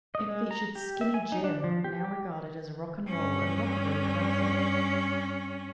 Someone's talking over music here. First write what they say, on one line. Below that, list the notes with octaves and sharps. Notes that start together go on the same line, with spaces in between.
It featured "Skinny Jim", now regarded as a rock-and-roll and rockabilly classic.
D#5
G#3
A#5
G4
E5
G#5
D#4
D4
F3
G4
G4
G2 C#4